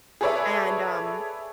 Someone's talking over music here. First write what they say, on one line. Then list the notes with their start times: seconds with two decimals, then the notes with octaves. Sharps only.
and, um,
0.21 G#4 A4 B4 C#5 D5 E5